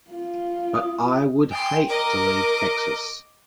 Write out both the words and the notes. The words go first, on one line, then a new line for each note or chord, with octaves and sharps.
But I would hate to leave Texas.
F4
D#6
G5 G#5 C6
A#4 D#5 D6